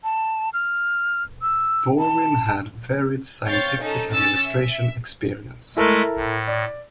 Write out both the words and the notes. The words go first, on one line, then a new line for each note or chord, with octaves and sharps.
Borwein had varied scientific administration experience.
A5
F6
E6
A5
C4 C#5 F5 G6 A6
C#4 D#4 A4
C#4 E6 A6
E5
G#3 A3 E4 A4 A#4
A2
D5